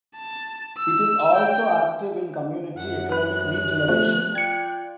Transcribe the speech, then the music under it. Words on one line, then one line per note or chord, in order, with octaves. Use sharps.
It is also active in community economic regeneration.
A5
E6
G5
F#2 F#5
B4 F#6
F3 A3
F4 D5 G5 G#6 C#7